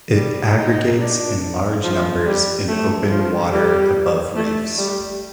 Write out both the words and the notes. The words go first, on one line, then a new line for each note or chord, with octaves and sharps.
It aggregates in large numbers in open water above reefs.
G3
D#4
D4
F3
G3
A3
F3
G3
A3
G3